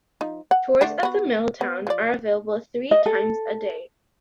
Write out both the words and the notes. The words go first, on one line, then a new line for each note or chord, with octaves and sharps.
Tours of the mill town are available three times a day.
F3 D#4
F#5
D3 A3 D4
B3 F#4
B3
F3 D5
D#5
A4